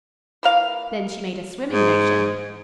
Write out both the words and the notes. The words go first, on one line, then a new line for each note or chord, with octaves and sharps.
Then she made a swimming motion.
E3 A#3 F5
G#2